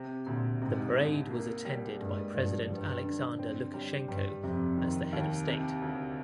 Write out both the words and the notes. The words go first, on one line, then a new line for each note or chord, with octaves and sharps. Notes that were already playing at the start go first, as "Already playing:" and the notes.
The parade was attended by President Alexander Lukashenko as the head of state.
Already playing: C3
D2 A#2
G#2 C3
C2
A#3
G3
G2 G#3
G2 F3
G2 F3
D3
C4
G3
G2 G3
F2 C3
D#3
D#2
C3
D2